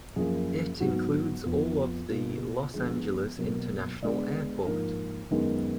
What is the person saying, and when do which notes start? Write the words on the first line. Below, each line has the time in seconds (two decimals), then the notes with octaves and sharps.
It includes all of the Los Angeles International Airport.
0.16 F#2 F3 A#3 G#4
0.80 G#2 F#3 B3 F#4
1.45 F2 F3 B3 F4
2.10 B2 A#3 F4
2.74 D3 F3 G#3 B3 G#4
3.38 B2 F#3 A#3 A#4
4.02 D3 G#3 B3 D5
4.66 G#2 F3 A#3 A#4
5.31 F#2 D#3 G#3 B3 A#4